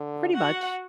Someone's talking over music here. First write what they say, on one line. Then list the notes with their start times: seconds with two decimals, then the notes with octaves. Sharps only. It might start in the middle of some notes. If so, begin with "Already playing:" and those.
Pretty much.
Already playing: D3
0.34 F#4 F#5